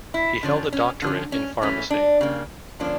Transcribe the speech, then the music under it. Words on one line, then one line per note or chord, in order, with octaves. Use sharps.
He held a doctorate in pharmacy.
E4
D3 F3 C#4
C#4
D3 F3 C#4
C#4
E3 A3 C#4
D4
C#3 G3 A#3
D3 F3 A#3 C#4 D4